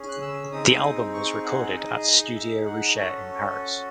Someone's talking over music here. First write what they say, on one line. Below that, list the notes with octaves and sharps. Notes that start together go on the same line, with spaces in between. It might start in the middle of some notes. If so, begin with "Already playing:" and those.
The album was recorded at Studio Richer in Paris.
Already playing: C#4 G#4
F#6
E6
C4 D#4 G#4 D#6
C#6
F#5
D#4 G#4 D#5
E5
F#5
C#4 F#4 A4